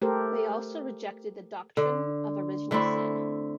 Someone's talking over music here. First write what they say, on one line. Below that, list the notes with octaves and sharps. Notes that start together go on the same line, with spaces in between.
They also rejected the doctrine of original sin.
A3 G4 A4 A#4 C5
D3
D3 A3 C4 E4